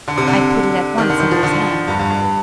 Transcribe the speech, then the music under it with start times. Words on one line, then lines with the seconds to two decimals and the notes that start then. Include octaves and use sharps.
I put it at once into his hand.
0.08 D3
0.17 C3
0.27 D3
0.98 D#3
1.09 D3
1.20 D#3
1.31 F3
1.43 D3
1.88 G2
1.99 G2
2.10 G2